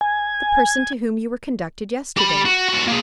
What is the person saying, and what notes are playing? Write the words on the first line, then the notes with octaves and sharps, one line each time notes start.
"The person to whom you were conducted yesterday."
G#5
G4 B5
F#4
D#2 F#4
A#3 G#4